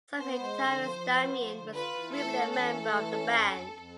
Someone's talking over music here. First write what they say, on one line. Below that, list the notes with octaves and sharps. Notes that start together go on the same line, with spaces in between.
Samhain guitarist Damien was briefly a member of the band.
B3 C5
G#3
D3
F3
F3
B3
F3
D3
F4 B4
E3
A3 A4
C#4
E3 A4
A3
E3
C#4
F2
F2
F2